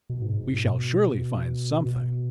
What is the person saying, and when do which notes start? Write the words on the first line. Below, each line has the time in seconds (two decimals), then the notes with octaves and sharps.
We shall surely find something.
0.10 B2
0.22 G#2
0.44 G#2
0.54 B2
1.86 B2